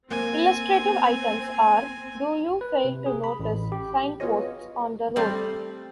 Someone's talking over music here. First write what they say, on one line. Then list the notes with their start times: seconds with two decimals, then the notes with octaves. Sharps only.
Illustrative items are 'Do you fail to notice signposts on the road?
0.10 A#3 C4 G#5
2.61 B4
2.85 C3
3.06 G#4
3.24 B5
3.40 A1
3.72 G4
4.20 B3 F4 F#4 G#4 C#5 D#5
5.16 G3 A3 C4